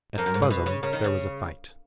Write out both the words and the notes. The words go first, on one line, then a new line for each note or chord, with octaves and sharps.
At Spuzzum there was a fight.
F2 A#4
F#2
G#2
A#2
B2 B4
C#3
C#3 A#4
D#3
C#3